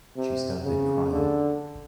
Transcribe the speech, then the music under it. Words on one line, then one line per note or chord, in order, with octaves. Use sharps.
She started crying.
C3
C#3
D3